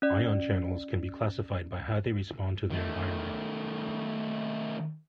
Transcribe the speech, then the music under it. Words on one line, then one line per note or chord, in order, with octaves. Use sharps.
Ion channels can be classified by how they respond to their environment.
C#4 D5
D#3 A3